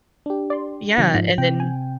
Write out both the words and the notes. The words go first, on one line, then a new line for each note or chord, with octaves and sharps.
yeah, and then
D4 G4
D5 C6
C3 D#3 F#3
G#2 F3
C3 G5
G#5